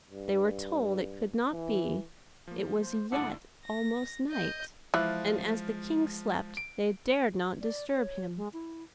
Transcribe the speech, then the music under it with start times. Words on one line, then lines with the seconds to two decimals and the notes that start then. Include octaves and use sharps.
They were told it could not be, it was yet almost night, and as the King slept they dared not disturb him.
0.11 G2
1.52 E3
2.47 F3 A#3
2.80 C5
3.12 D2 G2 D3 E4 F#5 A5 D6 D#6
3.65 A#6
4.31 D#5 G6
4.94 E3 F3 G#3 F4 F#6
6.57 D7
7.61 D5
7.89 C#5
8.37 G#3
8.53 E4